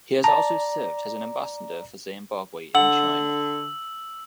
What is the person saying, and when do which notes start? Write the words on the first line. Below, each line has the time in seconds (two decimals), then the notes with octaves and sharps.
He has also served as an ambassador for Zimbabwe in China.
0.24 D5 A5 A#5
2.75 D3 F#5 E6 F#7